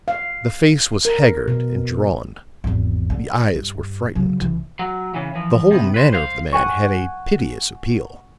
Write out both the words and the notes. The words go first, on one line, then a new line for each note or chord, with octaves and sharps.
The face was haggard and drawn; the eyes were frightened; the whole manner of the man had a piteous appeal.
F5
A#4
B2
G#1 E2
D3
G2
C#3 F#3
C#2 E3
F#3
C#3 E3
E3 F3
C3 B3
B4 C5
C5 F5
F#5 G#5 C#6